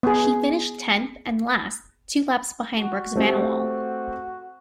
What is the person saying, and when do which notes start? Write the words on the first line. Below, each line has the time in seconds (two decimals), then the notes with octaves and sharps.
She finished tenth and last, two laps behind Brooks' Vanwall.
0.03 B3 G#4
2.78 F#4
3.16 A3 C4 G4